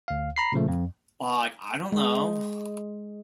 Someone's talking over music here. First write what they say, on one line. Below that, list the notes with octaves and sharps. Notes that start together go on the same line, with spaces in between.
Like, I don't know.
D2 F5
A#5 B5 C7
A#2 C#3 F3 A3
F2
G#3